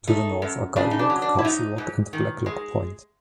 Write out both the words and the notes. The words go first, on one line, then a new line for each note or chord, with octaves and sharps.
To the north are Gull Rock, Castle Rock, and Blacklock Point.
A3 D#4
F#2
C#3 D4
D#4
D4
F#3
D4
E4
G#2 D#4
G#2
D#3
G#3